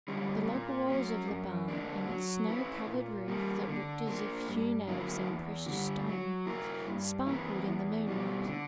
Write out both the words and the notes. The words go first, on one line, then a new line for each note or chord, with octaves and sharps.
The log walls of the barn and its snow-covered roof, that looked as if hewn out of some precious stone, sparkled in the moonlight.
D3 G3 C#4
A#2
F#3 C#4
F#2
D3 A#3 D4
F#3
C#4 E4 B4
A#2
G3 A#3
D3
A#3 D4
G2
D3 F#3 A#3 E4
E2
D3 G3
F#3
A#3 E4 A#4
G2
E3 A#3 E4 B4
E2
B2 G3
D3